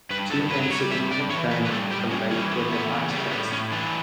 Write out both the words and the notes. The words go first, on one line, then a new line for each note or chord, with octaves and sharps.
Two men sitting on the bank of a lake with an ice chest.
G2 B4
G2 A4
F#3 B4
G3 C#5
G2 E5
G2 D5
E3 C#5
A2 B4
B4
G3 A4
A2 G4
G3 C#4
E3 C#4
A3
E2 B3
C#3
G3 A3
A2 B3
A2 C#4
E3 D4